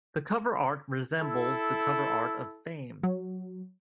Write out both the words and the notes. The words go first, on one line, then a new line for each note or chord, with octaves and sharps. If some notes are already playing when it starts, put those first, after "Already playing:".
The cover art resembles the cover art of "Fame".
E4 A4
F#3